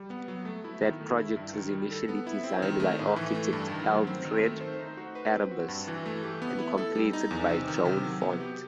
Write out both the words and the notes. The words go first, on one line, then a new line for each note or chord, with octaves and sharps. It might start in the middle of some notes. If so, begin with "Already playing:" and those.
That project was initially designed by architect Alfred Arribas and completed by Joan Font.
Already playing: G3
B3
F#3
A3
E4
D#3
A3
E4
G2
D#3
G3
A4
B3
E4
C4
D#3
A3
A2
E3
A3
G2
D#3
F#3
C4
D#3
A3
C5
D#4
F#4
B4
C4
F#4
G2
E3
A3
G4
B3
E4
A4
G3
D#4
E2
C3
D#3
C3
F#3
B3
G4